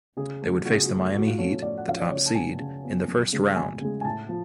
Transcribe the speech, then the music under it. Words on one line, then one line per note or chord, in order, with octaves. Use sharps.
They would face the Miami Heat, the top seed, in the first round.
C#3 G#4
F#3 A3
C#3 F#4
G#4
F#4
F#3 A3
A2 F#4
F4
F3 A3 C#4 F#4
F#4
A2 D5
F#5
F3 A3 C#4 F5
D5
C#3 C#5
A5
F3 B3 G#5
C#3
F3 B3
F#2
C#3 G#3
F#2 G#5
C#3 G#3
G#5
A2 A5
F3